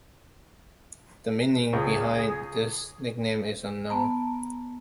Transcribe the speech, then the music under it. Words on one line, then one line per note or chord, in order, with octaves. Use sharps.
The meaning behind this nickname is unknown.
C#2 G#4
B3 A5 A#5